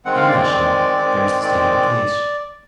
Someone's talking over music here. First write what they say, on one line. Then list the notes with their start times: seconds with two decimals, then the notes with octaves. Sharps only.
In a nut-shell, there's the state of the case.'
0.05 D#3 G#3 C4 F#5
0.17 F5
0.28 D5
0.40 D5
0.50 D#3 G#3 C4
0.97 D#3 G#3 C4
1.41 D#3 G#3 C4 D5